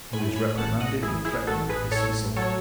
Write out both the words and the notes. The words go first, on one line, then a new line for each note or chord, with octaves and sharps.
He was reprimanded, and threatened with dismissal.
A2 G#5 B5
G#5 B5
A1 F#5 A5
D#5 F#5
A1 E4 G#4
E4 G#4
A1 F#4 A4
G#4 B4
A2 A4 C#5
F#3 A4 C#5